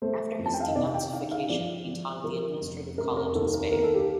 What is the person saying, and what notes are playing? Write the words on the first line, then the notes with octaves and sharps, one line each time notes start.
After his 'denazification' he taught at the administrative college in Speyer.
A3 C5
F2
A5
G5
F5
D#5
C3 D5
G5
D#3 F5
F5
F3 D5
F3
F3 A#4
F1
F1 A#4
A#4
D#2 A4
A#4
D#2 A#4
A4
G4